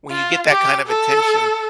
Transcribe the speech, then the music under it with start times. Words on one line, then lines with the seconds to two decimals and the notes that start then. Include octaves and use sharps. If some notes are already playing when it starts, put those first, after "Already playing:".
when you get that kind of attention,
0.11 F4
0.49 G4
0.87 A4